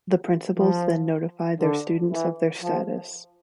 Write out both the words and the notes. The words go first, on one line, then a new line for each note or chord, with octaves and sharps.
The principals then notify their students of their status.
F3
D3
E3
F3